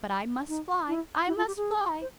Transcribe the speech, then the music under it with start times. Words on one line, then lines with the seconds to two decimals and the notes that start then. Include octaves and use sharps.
But I must fly, I must fly!
0.48 D#4
0.87 E4
1.27 E4
1.37 F4
1.47 G4
1.56 G#4
2.01 C5